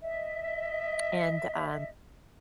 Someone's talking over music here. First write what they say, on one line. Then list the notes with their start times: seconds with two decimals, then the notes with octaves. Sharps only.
and, um
0.02 D#5 E5